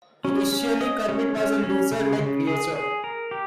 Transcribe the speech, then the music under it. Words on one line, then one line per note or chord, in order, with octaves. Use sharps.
Initially, Kermit was a lizard-like creature.
C#4
C#4
D#5
C#4
C#4
C#4
C#3
C#3
G#4
G#4
A#4
G4